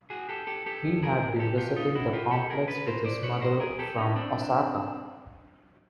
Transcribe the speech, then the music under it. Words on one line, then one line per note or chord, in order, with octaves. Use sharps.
He had been visiting the complex with his mother from Osaka.
F#4 G#4
G4 A4
G4 A4
G4 A4
G#4 A#4
G4 A4
F4 G4
D#4 F4
E4 F#4
F4 G4
G4 A4
G#4 A#4
A4 B4
A#4 C5
C5 D5
B4 C#5
A#4 C5
G#4 A#4
G4 A4
C#4 D#4
C4 D4